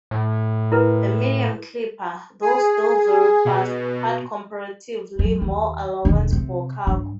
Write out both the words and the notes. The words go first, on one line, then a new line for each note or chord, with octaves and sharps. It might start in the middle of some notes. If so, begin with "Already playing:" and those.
The medium clipper, though still very fast, had comparatively more allowance for cargo.
A2
E4 A#4 B4
G#4
B2
F#2
D#2
E1 D#3
C3
G2